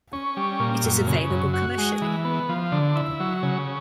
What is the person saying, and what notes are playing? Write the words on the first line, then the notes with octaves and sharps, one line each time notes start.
It is available commercially.
C#4
G3
A#2
F#2
C#3
F#2
F#4
G#3
E3
B3
F3
D3
E4
F#3
C#3